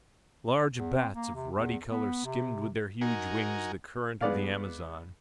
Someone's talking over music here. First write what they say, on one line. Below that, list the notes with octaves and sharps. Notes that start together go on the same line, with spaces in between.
Large bats of ruddy color skimmed with their huge wings the current of the Amazon.
E2
C4
A#3
C3
E2
B3
C3
D#4 F#4 A#4 G#5
G#3 B3 D5 F5